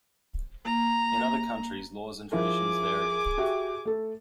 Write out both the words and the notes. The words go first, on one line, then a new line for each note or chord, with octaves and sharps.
In other countries, laws and traditions vary.
A#3 A#5
F3 E4 G#4 A#4 D6
F#4 G4 E5
A3 A4